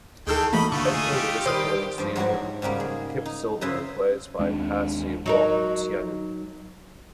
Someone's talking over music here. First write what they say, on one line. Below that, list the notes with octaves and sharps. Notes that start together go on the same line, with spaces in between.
After the disappointing season, Kivisild was replaced by Pasi Rautiainen.
D2 D#3 E3 G#4 A4 G5 E6
E3 A3 A#3 F#4 D#5 B5
D3 A3 D#4 F4 C#6
G#4
G4
D#3 G3 C5 C6 D#6 F6
G2 F3
G#2 F#3 G3 F#4 C#5
G#2 C#3 G3 A#3
G#4
D#4
F#2 C#3 E4 B4 C5 D#5
D#2 G#3 C4 D4
F#3 D#4 A#4